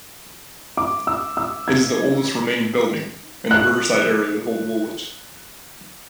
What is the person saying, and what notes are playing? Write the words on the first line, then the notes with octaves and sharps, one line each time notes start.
It is the oldest remaining building in the riverside area of Old Woolwich.
D6
E6
E6
G#6
F#6